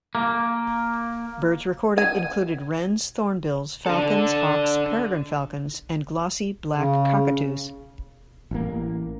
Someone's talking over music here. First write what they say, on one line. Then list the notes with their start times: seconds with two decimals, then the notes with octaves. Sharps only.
Birds recorded include wrens, thornbills, falcons, hawks, peregrine falcons and glossy black cockatoos.
0.15 A#3
1.98 G#5
3.86 D4 A4
6.75 C#3
8.51 A1 A#3